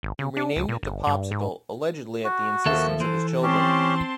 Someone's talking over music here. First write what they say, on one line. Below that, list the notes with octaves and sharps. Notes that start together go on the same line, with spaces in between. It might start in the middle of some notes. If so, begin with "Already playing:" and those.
He renamed it to Popsicle, allegedly at the insistence of his children.
G#1
C#3
D4
C#2
A#2
G1
G2
G#2
F#4
D#2 F3 A#3 A4 E5
E3 A4 C5
C4 C#4 G4 A5 C6